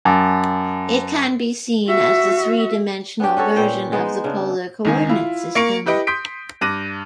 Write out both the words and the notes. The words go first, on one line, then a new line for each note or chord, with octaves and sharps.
It can be seen as the three-dimensional version of the polar coordinate system.
F#2 G#5 A5 D6
F#4 E5
B3 C#4 D4 G4
C#4 F#4 A4 C#5
A#2 B4 C#5 G5
G#3 B3 D#4 C5
C#3 D4
C#2 D#3 G#5
E4 F4
A#3 C#6 C#7 D7
E4 G4 B4 D#5 D7
C6 D#6 G6 B6 D7
G2 D6 F#6 A#6 D#7